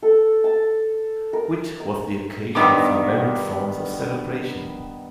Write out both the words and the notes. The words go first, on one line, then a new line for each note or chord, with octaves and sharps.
Whit was the occasion for varied forms of celebration.
A4
A5
A#4
A#5
G2 D#3 B3 D6